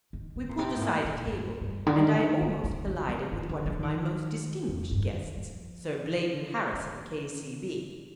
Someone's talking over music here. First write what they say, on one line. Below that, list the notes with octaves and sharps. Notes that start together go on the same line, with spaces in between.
We pulled aside a table and I almost collided with one of my most distinguished guests--Sir Blaydon Harrison, K.C.B.
D#3
D3
A#2
C3
A2
A#2
A#2
G2
G2
D3
D#3
D3
D#3
F3
D#3
F3
F3
D#3
D3
F3
F3
D#3
F2
G2
D#3
F3
D#3